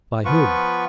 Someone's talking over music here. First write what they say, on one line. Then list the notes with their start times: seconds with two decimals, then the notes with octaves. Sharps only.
"By whom?"
0.25 F3 B3 F4 B4 C#6